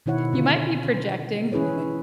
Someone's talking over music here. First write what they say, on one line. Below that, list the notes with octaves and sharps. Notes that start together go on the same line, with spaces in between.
You might be projecting.
B2 D#3 E4 C#5 F#5
D3 C#4 F4
E3 C#4 E4 G#4 B4 C#5